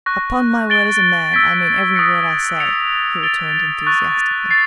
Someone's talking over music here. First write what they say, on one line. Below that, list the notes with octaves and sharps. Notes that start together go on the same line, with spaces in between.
"Upon my word as a man, I mean every word I say," he returned enthusiastically.
C#6 F#6 A#6
A6 D7 G7
E6 G#6 B6 D7
D#6 F#6 A#6 C#7
G#6 C#7 F7
A6 D7 G7
C#6 F#6 A6
A6 C7